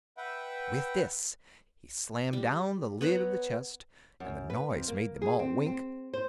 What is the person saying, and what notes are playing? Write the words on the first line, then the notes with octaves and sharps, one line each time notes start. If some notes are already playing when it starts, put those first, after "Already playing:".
With this he slammed down the lid of the chest, and the noise made them all wink.
B4 E5 F#5 G5
G3
B3 C#5 F#5 A#5
F#2
B4
F2
A#3
G#4
C4
C4
C5